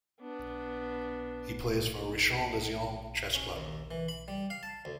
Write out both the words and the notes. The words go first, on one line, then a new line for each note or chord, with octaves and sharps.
He plays for Rishon LeZion chess club.
B3 D4
C#4
D#2
E3
B5
G3
F5
A5
D2